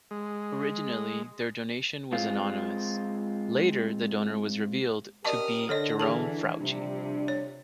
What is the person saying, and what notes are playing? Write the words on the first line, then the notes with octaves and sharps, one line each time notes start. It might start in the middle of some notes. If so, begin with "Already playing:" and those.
Originally, their donation was anonymous; later, the donor was revealed to be Jerome Frautschi.
G#3
G#3 C4 F4
C#4 G4 A#4 D5 D#5 A5 D#6 F6
D3 A4 C#5 D#5 A#6
E3 D4 G#4 A4 A5
C3 F3 G3 D4
C#5